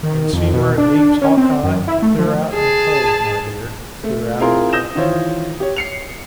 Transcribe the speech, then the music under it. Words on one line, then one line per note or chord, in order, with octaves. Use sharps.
And see where it leaves Hawkeye-clear out in the cold, my dear, clear out in the cold.
D#3
F2
B2
D4
C#4
C4
F#2
E4
A3
F3
G#4 A5
A3
C4 E4 F4 G#4 A#4 C6
D#6 G6 A#6 E7
D#3 E3 E4 F4 C5 C#5
G4 C#5
C7 C#7 F7